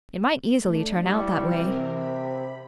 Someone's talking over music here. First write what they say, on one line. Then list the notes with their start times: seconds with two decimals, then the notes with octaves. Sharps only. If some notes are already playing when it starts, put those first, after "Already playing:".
It might easily turn out that way.
0.59 A3 D4
1.04 G3 E4 C#6
1.51 C3 E3 C4 A#4
1.92 B5